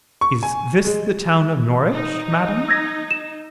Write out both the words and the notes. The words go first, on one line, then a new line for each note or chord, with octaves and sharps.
"Is this the town of Norwich, madam?"
C#6
G#5
G#3
D#4
E6 G#6 A#6
E7